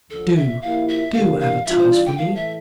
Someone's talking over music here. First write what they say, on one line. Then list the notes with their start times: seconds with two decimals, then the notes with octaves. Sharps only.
Do, do advertise for me.
0.10 D2 D3 F3 A4
0.36 E5
0.62 A#2 F3 A#3 E4 G4 F5
0.88 E5
1.14 C3 E3 A#3 D4 G4 F5
1.40 F5
1.66 E3 G3 D4 F4 E5
1.79 C5
1.92 D5
2.05 G5
2.18 A2 E3 A3 F5
2.36 E5